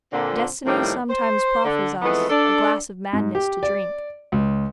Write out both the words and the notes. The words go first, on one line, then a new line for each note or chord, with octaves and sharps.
Destiny sometimes proffers us a glass of madness to drink.
A#2 D3 C4
A2 D#3 F3 G3 C4 D4
C5
D3
F2 E3 G#3 A3 B3
D4 A4 D5
G#2
G4
D5
C#2